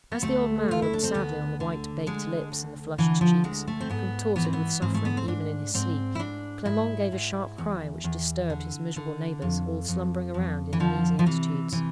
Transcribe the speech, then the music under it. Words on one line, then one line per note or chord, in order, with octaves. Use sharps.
As the old man looked sadly on the white, baked lips, and the flushed cheeks, contorted with suffering even in his sleep, Clement gave a sharp cry which disturbed his miserable neighbours, all slumbering around in uneasy attitudes.
B3
D2 A3
D2 F4
E4
D4
C4
D2 B3
D3
D3 G#3
D2
D3 E3
F3
D2 G#3
A3
C4
G#2 B3
E3 B3
C4
B3
G#2 C4
A3
B3
C4
G#2 D4
G#2 C4
E4
G#2 D4
G#2 E4
G#2
E2
E2
D3
D3
F2
F2
F2
E3
D3 F3
F3
C3 E3
C3 E3